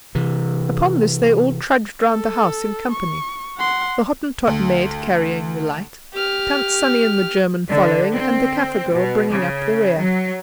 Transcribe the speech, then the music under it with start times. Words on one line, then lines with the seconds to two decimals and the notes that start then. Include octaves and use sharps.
Upon this they all trudged round the house in company--the Hottentot maid carrying the light, Tant Sannie and the German following, and the Kaffer girl bringing up the rear.
0.15 C3 E3
2.10 A4
2.91 C#6
3.58 F#5 C6
4.47 D2
6.13 G4 F6
7.69 D3
8.13 C4
8.93 B2
9.32 C#3
9.99 F#3